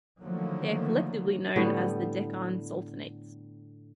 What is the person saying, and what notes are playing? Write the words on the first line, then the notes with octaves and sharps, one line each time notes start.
They are collectively known as the "Deccan Sultanates".
D3 D#3 F3 F#3 A3 A#3
A2 D3 G3 B3